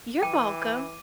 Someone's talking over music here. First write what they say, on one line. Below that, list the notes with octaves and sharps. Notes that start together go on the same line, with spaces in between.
You're welcome.
E3 G5 D6 D#7